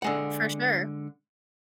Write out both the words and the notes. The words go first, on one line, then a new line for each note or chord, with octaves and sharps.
For sure.
D3 G#3 F#5